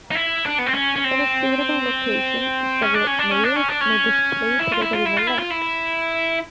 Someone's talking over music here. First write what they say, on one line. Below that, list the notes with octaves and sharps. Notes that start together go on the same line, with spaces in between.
In a suitable location several males may display together in a lek.
D#4
E4
D4
B3
C4
C#4
C#4
C4
C#4
D4
C#4
D4
C#4
D4
C#4
D4
C#4
E4
F4
E4
F4
E4
F4
E4
F4
E4